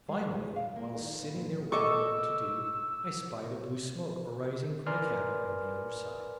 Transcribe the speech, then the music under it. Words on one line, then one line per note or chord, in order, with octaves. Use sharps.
Finally, while sitting there wondering what to do, I spied a blue smoke arising from a cabin on the other side.
G#3
G#4
F5
A#3
D#3
B2
A#2
A4 D#5 C#6 D6 E6
A#4 B4 D5 G#5 C6 F6